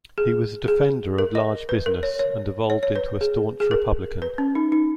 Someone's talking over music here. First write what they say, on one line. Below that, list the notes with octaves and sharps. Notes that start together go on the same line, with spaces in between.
He was a defender of large business and evolved into a staunch Republican.
G#4
G#4
A#4
D#5
B4
A#4
C#5
C#5
C#5
C#5
B4
G#4
G#4
A#4
B4
C#4
D#4
D#4